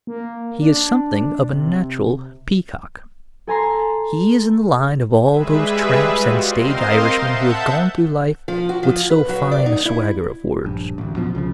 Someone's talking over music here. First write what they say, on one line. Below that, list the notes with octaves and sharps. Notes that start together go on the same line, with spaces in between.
He is something of a natural peacock. He is in the line of all those tramps and stage Irishmen who have gone through! life with so fine a swagger of words.
A#3
D4
C3
A4 G#5 A#5 C6
G3 G#3 G#4 B4 E5
G3 F4 F#4
C4 A#4 C5 D#5 F5 C6
E5 F#5 A5 G6
F3
F#4
F3
B4
F#3
D5
D#4
E4
A#1 G2
A1 D2
F#2 B2 F3
C2 C#3 F3